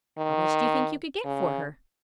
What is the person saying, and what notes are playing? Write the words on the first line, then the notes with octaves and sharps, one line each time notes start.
"How much do you think you could get for her?"
D#3
C#3